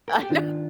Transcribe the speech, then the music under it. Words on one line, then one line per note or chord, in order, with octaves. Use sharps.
I know,
A#4
A4
G4
D#3 D4 F4